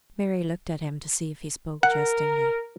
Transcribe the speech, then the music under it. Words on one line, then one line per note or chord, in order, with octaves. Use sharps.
Mary looked at him to see if he spoke jestingly.
A#4 F#5